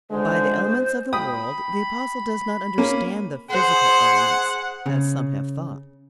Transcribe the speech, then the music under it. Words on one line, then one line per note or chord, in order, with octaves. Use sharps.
By the elements of the world the Apostle does not understand the physical elements, as some have thought.
C#2 D3 G#3 C5
G5 B5 D#6
A#3 C#4
G#4 C5 F#5
C#3